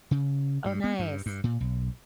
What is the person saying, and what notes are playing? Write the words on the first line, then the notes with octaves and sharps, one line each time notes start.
Oh, nice.
C#3
G2
B3
G2
G2
A#2
B1